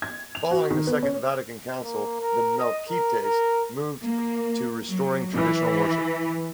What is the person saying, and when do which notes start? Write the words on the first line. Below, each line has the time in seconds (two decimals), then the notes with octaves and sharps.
Following the Second Vatican Council the Melkites moved to restoring traditional worship.
0.02 G#6
0.35 F7
0.51 F#4
0.71 D#3
0.87 B3
1.03 C#4
1.84 A#3
2.20 A#4
2.59 D#5
2.89 A#4
3.22 A#4
4.03 A#3
4.88 F#3
5.34 E3